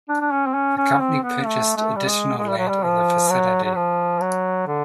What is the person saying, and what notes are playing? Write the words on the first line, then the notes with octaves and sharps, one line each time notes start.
The company purchased additional land in the vicinity.
D4
D4
C#4
C4
C#4
C#4
C4
B3
A3
A3
G3
G#3
G#3
G3
F#3
G3
F3
F#3
F#3
F3
F#3
D3